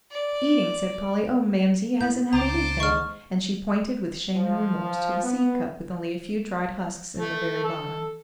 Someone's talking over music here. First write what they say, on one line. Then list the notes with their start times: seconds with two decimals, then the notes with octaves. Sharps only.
"Eating!" said Polly, "oh mamsie, he hasn't had anything." And she pointed with shame and remorse to the seed-cup with only a few dried husks in the very bottom.
0.12 D5
2.01 A2 G6
2.33 C#2 C5 A5 A#5 D6
2.80 G#2 C#6 F6
4.35 F3
5.23 B3
7.18 A3
7.64 A4